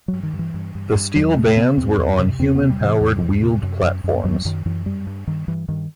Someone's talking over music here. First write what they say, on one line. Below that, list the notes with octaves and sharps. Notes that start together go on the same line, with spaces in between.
The steel bands were on human-powered wheeled platforms.
G2 F#3
D#3
G2
E3
G2
G2
G2
E2 F#3
C3 A3
A3
C3 B3
E2 C4
E2
C3
E2 C4
C3 B3
G3
C3 E3
E2
E2
C3
F#2
F#2
F#2
F#2 F#3
F#2 D#3
F#2 E3
G2 G3
G2
G2 D#3
G2 E3
G2 D#3